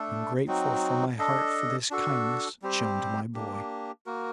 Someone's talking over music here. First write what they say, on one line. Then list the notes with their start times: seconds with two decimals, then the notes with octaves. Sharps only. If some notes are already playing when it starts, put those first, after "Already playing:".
I am grateful from my heart for this kindness shown to my boy.
Already playing: A3 D4 A4
0.47 F#3 C4 D#4 F#4
1.19 D4 A4 D#5
1.90 D4 F#4 A4
2.62 G3 C4 G4 C5
3.35 A#3 D4 G4
4.06 A#3 F#4 A#4